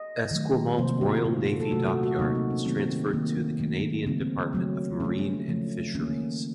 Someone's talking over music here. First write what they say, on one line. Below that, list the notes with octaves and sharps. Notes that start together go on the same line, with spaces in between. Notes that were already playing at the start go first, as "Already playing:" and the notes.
Esquimalt Royal Navy Dockyard was transferred to the Canadian Department of Marine and Fisheries.
Already playing: D#5
D#3 F#3 A3
C3 F3 A#3 C5
F#4
A#2 A3 F4
A4
A4
C3 F#3 A3 F#4
F#4
F#4
C3 F#3 A#3 D#4
C4
C#4
D#3 F#3 A3 C4
D#3 A#3
D#3 F#3 A3
C#3 F#3 A#3 C4
C4
C#3 F#3 A3
C#3 A3 C#4
C#3 F3 A3
D#3 A#3 C#4